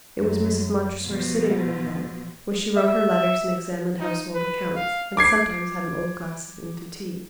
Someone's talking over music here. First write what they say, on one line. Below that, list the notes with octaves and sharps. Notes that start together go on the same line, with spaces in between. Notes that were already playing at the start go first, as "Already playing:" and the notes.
It was Mrs. Montressor's sitting-room then, where she wrote her letters and examined household accounts, and sometimes had an old gossip in to tea.
F#2
B2 F3
E5
D#4
B4
F5
D6 G#6 C7